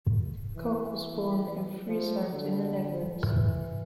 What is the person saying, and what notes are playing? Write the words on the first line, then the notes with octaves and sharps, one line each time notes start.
Kok was born in Friesland in the Netherlands.
E3
F3
D3
E3